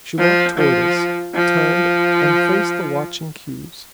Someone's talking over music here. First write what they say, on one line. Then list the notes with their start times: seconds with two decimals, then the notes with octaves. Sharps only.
She walked toward us, turned and faced the watching cubes.
0.18 F3
0.57 F3
1.35 F3